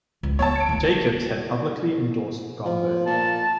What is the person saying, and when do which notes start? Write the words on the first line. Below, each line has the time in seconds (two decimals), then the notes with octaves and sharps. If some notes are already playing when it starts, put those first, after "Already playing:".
Jacobs had publicly endorsed Gomberg.
0.23 C#2
0.39 A3 B3 C#5 A5
0.56 C#7 D7
0.69 D#3 A3
2.65 F3
3.07 A#2 A5